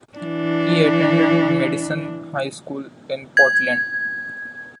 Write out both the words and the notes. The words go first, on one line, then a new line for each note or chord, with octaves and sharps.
He attended Madison High School in Portland.
E3 D4
G#6